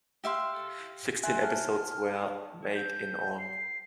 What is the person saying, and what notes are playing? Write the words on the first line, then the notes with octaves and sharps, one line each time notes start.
Sixteen episodes were made in all.
G4 E5 F5 C6
E5 G#5 C6 F#6
A5 F6
G6
C7